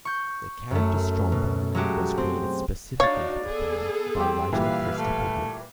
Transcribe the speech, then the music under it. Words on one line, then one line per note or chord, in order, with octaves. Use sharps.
The character Stromberg was created specifically for the film by writer Christopher Wood.
C#6 G6
F#2 A3
B2
F#3 G#3 A3 F#4 G4
C4
D4 D#4 F#4 C#5 D5 F5 A6
B3 G#4 A4
G3 C4 G4
A#2 E3 G3 B4 E5 F5
A3